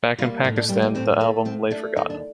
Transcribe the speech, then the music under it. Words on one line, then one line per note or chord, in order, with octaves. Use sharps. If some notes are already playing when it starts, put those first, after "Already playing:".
Back in Pakistan, the album lay forgotten.
G3 A#3 F4
A2 D#4
D4
G3 A#3 C4
A#3
A2 C4
A3 A#3
A2 C4
A3 D4
D#2 D#4
D4